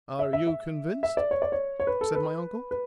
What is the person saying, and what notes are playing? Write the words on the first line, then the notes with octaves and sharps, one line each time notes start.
"Are you convinced?" said my uncle.
E5
E5
E5
E5
D5
C#5
D5
C#5
C#5
B4
A4
B4
B4